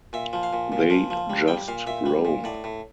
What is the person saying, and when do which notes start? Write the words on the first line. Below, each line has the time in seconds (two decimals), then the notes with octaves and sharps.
They just roam.
0.13 A#2 E5
0.33 F3
0.43 F5
0.53 A#2
0.72 A#2
0.90 F3
1.10 F3
1.30 G3
1.48 G3 G5
1.68 A#2 F5
1.87 A#2 E5
2.06 G3
2.25 A#2
2.44 A2 D5
2.64 A2